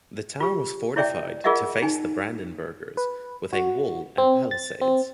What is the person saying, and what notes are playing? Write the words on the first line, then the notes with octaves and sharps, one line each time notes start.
The town was fortified to face the Brandenburgers, with a wall and palisades.
F4 G4
E4 C#5 D5 E5 G5
F4 G#4 A#4 D#5 E5 F#5
D#4 G#5
B4
F#4
C4
A6
C4